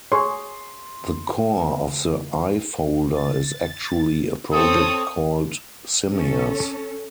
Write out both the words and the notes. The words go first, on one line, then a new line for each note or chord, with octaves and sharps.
The core of the iFolder is actually a project called Simias.
G#4 C#5 C6
A6
C4 A4 C#5 D#6
C#4 A4